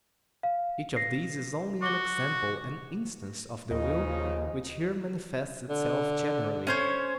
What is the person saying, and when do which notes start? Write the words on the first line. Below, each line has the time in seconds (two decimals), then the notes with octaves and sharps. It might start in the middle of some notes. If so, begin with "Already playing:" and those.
Each of these is only an example, an instance, of the will which here manifests itself generally.
0.43 F5
0.96 A#6 C7
1.82 F#4 D6 G7
3.71 D#2 C#3 F3 D#4 D#5
5.69 D3
6.67 C#4 C5 C#5